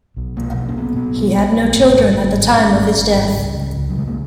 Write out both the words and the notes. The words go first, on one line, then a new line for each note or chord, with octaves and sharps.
He had no children at the time of his death.
B1
B2 A#3
B1 A#3
C#4
B2 B3
B1 B3
B2
B1
B2
G#1
G#2
G#1
G#2
G#1 C#4
G#2
G#1
G#2
C#2
C#3
C#2
F#3
C#3 G#3
A#3